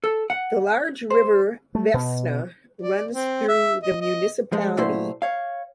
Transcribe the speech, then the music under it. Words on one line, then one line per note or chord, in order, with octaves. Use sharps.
The large river Vefsna runs through the municipality.
A4
F#5
C5
A3
B2
D5
C4
E5
D#5
D#5
F3 G#3
A#2 F#3 A3 E4 C5
C#5 F5